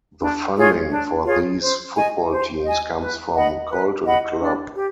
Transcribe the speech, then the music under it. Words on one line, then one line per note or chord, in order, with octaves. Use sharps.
The funding for these football teams comes from Colton Club.
D4
F4 G#4 C#5
D4
F4 G#4 C#5
C5
D#5 G#5
C5
D#5 G#5
B4
D#5 F#5 B5
B4
D#5 F#5 B5
D4
G4